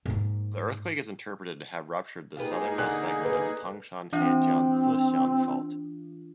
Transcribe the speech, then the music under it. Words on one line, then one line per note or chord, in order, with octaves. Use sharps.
The earthquake is interpreted to have ruptured the southernmost segment of the Tangshan–Heijian–Cixian Fault.
G#2 A#3
A#3 D#4 F4 G4 G#4 B4
D3 F#6
B4
E3 C4 D4 F4